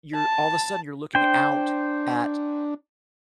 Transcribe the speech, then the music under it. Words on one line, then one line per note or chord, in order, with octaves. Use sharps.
you're all the sudden, you're looking out at
A5
D4 C5 G5